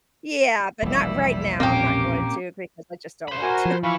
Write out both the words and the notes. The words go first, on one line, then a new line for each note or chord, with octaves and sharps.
yeah, but not right now. I'm not going to because I just don't want to,"
E1 A#1 G3 E4
A#2 A#3 C4 C#4 G4
C5 B5
F#4 A#4 G#5
F3
E3 F5 B5 C#6